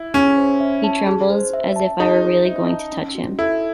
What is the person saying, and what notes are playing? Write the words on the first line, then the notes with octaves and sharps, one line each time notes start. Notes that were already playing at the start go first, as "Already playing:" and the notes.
He trembles: as if I were really going to touch him!
Already playing: E4
C#4 G#4
C5
E5
A5
G#4
C5
E5
A5
D#4 G#4
C5
E5
A5
C#4
F#4
E4 A4